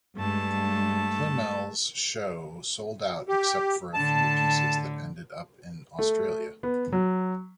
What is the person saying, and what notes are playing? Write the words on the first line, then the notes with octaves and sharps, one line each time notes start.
Plymell's show sold out except for a few pieces that ended up in Australia.
G2 G#3 A3 A5
G4
A2 D3 A5
A3
B3
F#3